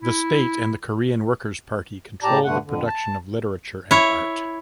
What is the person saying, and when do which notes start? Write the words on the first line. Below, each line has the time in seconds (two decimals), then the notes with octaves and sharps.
The state and the Korean Workers' Party control the production of literature and art.
0.01 E4
2.23 A2 G4 D5 A5 A#5
2.44 G2 D3 A3 F#5
2.65 F2 D3
2.86 A5
3.91 E4 C#5